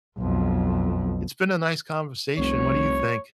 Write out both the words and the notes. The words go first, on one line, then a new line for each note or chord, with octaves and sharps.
It's been a nice conversation, what do you think?
B1 F2
F1 C2 C#5